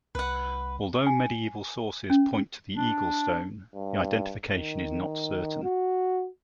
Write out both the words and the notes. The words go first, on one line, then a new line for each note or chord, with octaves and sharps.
Although medieval sources point to the eagle-stone, the identification is not certain.
C2 B4 F#5
G#5
C#4
D4
G2
D#3
F#4